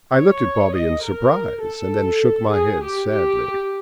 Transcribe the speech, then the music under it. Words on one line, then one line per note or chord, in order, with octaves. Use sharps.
I looked at Bobby in surprise and then shook my head sadly.
C#5
D#5
A#4
A4
G#4
G4
G4